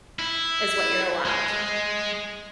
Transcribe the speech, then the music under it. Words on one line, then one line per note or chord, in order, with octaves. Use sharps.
is what you're allowed."
E4
G#3